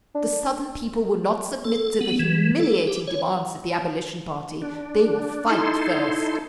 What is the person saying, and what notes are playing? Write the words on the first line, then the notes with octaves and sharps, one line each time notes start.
"The Southern people will not submit to the humiliating demands of the Abolition party; they will fight first."
D4
A4
B3
E3
A4
G4
C#5
D4
D#4 E4 A4 C6